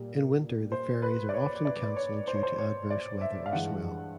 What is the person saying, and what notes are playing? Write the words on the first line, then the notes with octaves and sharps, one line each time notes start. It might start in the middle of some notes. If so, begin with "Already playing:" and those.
In winter the ferries are often cancelled due to adverse weather or swell.
Already playing: A#2 G3
C5
B4
D5
C#5
D5
C#5
C5
C#5
C5
C#5
D5
E5
F5
G2 E3 G#3 F#5